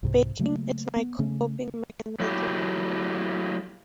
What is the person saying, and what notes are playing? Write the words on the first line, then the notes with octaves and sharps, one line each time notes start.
Baking is my coping mechanism.
C2 G#2 C3
C#3 F#3 A3 A#3
B3
C#3 A3 C#4
F#3 A3 A#3 E4 F#4 G4